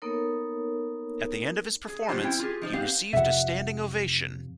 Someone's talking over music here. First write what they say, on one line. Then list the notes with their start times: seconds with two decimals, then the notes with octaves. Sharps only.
At the end of his performance he received a standing ovation.
0.02 A#3 B3 D#4 A4 A#4 C#5
1.88 G#4
2.09 F#3 A#3 D4 F4 G4 C5
2.23 C4 C#4 E4 G5
2.39 F4 G4 G#4
2.62 F3 D#4 C5
2.73 B3 C4 D#4 G4 F5
3.13 F2 C3 E5 F#5